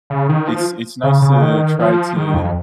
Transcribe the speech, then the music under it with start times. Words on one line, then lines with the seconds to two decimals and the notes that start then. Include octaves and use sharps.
It's it's nice to try to
0.10 C#3
0.29 D#3
0.47 F3
1.04 C#3
1.22 C#3
1.41 D#3
1.79 F3
2.16 D#3
2.34 F2